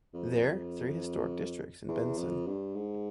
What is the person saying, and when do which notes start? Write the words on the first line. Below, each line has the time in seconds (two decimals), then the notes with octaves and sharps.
There three historic districts in Benson.
0.14 F2
1.88 E2
2.18 F2
2.47 G2
2.75 G#2